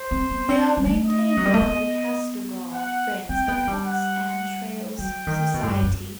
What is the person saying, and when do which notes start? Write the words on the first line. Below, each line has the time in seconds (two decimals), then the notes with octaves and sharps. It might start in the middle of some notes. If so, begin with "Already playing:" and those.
They are maintained by the Castlegar Friends of Parks and Trails Society.
Already playing: C5
0.11 C4
0.31 B3
0.49 C4
0.77 G3
0.86 A3
1.06 D#5
1.37 F#3
1.45 G3
1.54 A3
1.61 B3
2.74 F#5
3.29 C4 G5
3.48 B3
3.67 G3
3.85 F#5
4.98 F#3 G5
5.27 D#3
5.54 B2
5.63 A2
5.68 G2
5.83 F#2